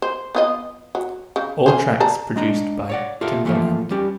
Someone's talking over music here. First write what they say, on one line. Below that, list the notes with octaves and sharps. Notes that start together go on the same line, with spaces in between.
All tracks produced by Timbaland.
C5
B3 F4 D#5
F#3
C#3
C#4 G#4 C5
D5 A5 A#5
G#3 D4 A#5
C#5 D5 F#5
F4 G4 A4 A#4 E5
E3 F3 A3 A#3 F4
G3 C#4 G4